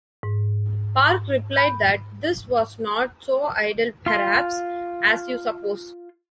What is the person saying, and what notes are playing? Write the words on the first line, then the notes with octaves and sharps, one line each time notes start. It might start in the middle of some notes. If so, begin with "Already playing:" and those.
Park replied that this was Not so idle perhaps, as you suppose.
G#2
B5 G6
F4 C6